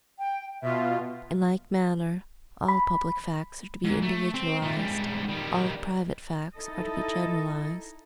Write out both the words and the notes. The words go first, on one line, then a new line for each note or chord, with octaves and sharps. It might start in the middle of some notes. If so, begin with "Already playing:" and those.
In like manner all public facts are to be individualized, all private facts are to be generalized.
G5
B2 F4 E5
B5
G#2
A3
C4
A#2 A3
G#2 G3
D#3 G3
D#4 E4 A4 D#5